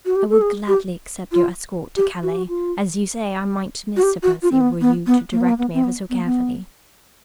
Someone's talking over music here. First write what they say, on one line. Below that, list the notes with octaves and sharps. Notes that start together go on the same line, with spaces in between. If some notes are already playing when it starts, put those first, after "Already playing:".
I will gladly accept your escort to Calais . . . as you say, I might miss Sir Percy were you to direct me ever so carefully.
F#4
G4
A4
G#4
G4
F4
G4
F#4
G4
F#4
F4
F#4
G4
F#4
F4
C4
B3
B3
B3
A#3
B3
A#3
B3
C4
B3
B3
A#3
B3